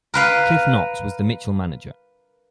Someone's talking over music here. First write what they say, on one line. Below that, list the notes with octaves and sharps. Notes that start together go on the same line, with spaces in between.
Cliff Knox was the Mitchell manager.
A#4 B4 F5